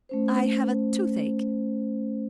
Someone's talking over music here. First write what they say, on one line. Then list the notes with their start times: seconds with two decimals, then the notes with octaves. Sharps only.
I have a toothache.
0.09 A3 C#4 C5